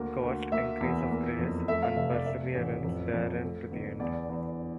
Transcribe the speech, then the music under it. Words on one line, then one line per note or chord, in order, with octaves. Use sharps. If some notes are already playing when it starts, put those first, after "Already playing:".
Ghost, increase of grace, and perseverance therein to the end.
Already playing: D2 A#3
D2
A#3 E5
E2
A#3
F2
A3 E5
F5
F1 E5
D5
A3 E5
A1
F2
F2
A3
G1
E2 D5
E2